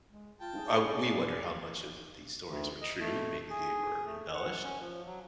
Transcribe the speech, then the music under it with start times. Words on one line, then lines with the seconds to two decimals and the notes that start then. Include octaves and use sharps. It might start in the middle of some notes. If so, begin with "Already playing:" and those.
uh we wonder how much of these stories are true, maybe they were embellished,
0.09 G#3
0.40 F4 G5 A5
0.57 G#4
0.84 D5
2.48 D2
2.81 D#5
3.00 A3
3.50 G#4
4.06 A3
4.34 F#5
4.64 C#4
4.80 F3
5.06 F#3